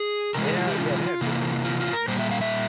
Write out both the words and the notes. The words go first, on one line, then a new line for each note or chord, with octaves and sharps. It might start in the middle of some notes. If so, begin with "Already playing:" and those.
They have yeah, they have different kind of ceviche.
Already playing: G#4
C3 E3 G#3 A#4
G#4
F4
G4
F4
C3 E3 A#3
F4
F4
A#4
A#2 G3 A#3 C5
E5
F5
E5